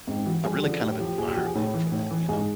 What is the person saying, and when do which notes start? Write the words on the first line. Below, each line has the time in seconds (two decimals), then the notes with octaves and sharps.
I really kind of admire them for that, you know?
0.07 G#2 C4
0.26 E3 F#4
0.44 G2 G#4
0.63 D3 F3
0.81 A2 G4
1.00 F3 G4
1.18 A#2 G#4
1.27 G4
1.36 F3 F#4
1.46 G#4
1.55 A2
1.74 E3
1.92 A2
2.10 E3
2.29 G#2 G#4